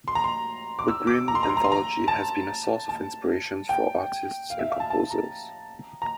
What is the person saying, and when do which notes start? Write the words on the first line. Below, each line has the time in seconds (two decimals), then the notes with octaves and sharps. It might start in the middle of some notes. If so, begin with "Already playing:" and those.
The Grimm anthology has been a source of inspiration for artists and composers.
0.08 C6
0.15 A#5
0.24 C6
0.79 D6
0.88 E6
1.07 D6
1.28 A#5
1.35 C6
1.43 A#5
1.49 C6
1.57 A#5
1.64 C6
1.72 A#5
2.08 A5
2.89 A5
3.69 G5
4.50 F5
4.59 E5
4.70 F5
4.80 A5
4.90 A5
5.10 A#5
6.02 A#5